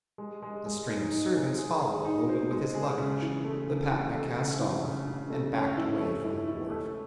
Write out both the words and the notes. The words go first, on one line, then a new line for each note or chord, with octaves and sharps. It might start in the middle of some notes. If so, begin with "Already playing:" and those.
A string of servants followed, loaded with his luggage; the Patna cast off and backed away from the wharf.
G#3
G#3
G#3
D#4
D#4
G#4
G#4
G#4
D#4
C5
G#3
G#4
C#3
E3
A3
C#3
E3
A3
C#3
E3
C#3
C#3
A3
C#4
E4
A3
E4
E4
A3